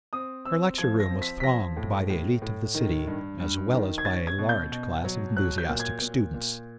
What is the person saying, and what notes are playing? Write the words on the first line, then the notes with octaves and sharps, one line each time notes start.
Her lecture room was thronged by the elite of the city, as well as by a large class of enthusiastic students.
C4 D#6
C4 E6
F3 G#6
A#6
C4
B6
B6
F3 A#6
A2
A2
A2
D#3
G2
G2
D#3
G#6
C#4 A6
G#6
B2
G6
B2
F#3
F#3 F#6
G6
A#2
G#6
A#2
A#2